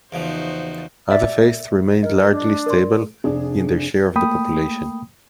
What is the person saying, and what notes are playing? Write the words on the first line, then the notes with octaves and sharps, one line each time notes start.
Other faiths remained largely stable in their share of the population.
E2 C#3 F3 D#4 F#4 C5
D5 E5
A#4 D#5
D4
A#4 D5 C6
F1 D4 G#4
A3 A#3 G5 B5 D#6